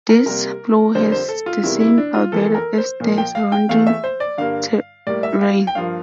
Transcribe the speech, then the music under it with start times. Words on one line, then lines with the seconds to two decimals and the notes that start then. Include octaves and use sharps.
This floor has the same albedo as the surrounding terrain.
0.09 A#4
0.26 C3 G3 A#3 A#4
0.95 F2 D3 G3 A#3 C5
1.12 C5
1.29 A4
1.46 F4
1.63 E2 C3 G3 A#3 E4
1.80 E4
1.98 D4
2.14 F4
2.32 F2 E3 A#3 A4
2.55 A#4
2.78 C5
3.00 A#2 F3 A#3
3.18 G5
3.35 F5
3.52 G5
3.69 E2 E3 A3 F5
3.87 E5
4.04 C5
4.20 D5
4.38 G2 D3 G3 A#3 F5
5.07 A2 G3 A#3 D5
5.23 E5
5.41 F5
5.67 G5
5.75 G2 F3 A#3 F5